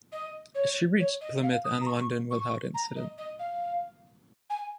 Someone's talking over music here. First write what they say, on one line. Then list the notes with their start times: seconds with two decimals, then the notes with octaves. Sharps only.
She reached Plymouth and London without incident.
0.12 D#5
0.54 C#5
0.99 C#5
1.20 D#5
1.43 F5
1.64 D#6
1.80 A#5
1.86 C#6
2.30 C#6
2.74 A#5
2.95 D#5
3.17 D#5
3.39 F5
4.49 G#5